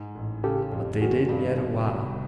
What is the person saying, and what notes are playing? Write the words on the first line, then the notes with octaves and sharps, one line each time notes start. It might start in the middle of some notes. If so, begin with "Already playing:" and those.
But they didn't yet a while.
Already playing: G#2
A1
C#3 G4 A4
F2
D#3 F#4 G#4
G2
B2
C2